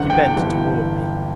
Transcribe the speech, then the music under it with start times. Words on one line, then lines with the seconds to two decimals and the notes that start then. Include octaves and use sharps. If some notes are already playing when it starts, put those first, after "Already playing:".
She bent toward me.
Already playing: F#1 E2 D3 F#5
0.10 G5
0.37 G1 G2 E3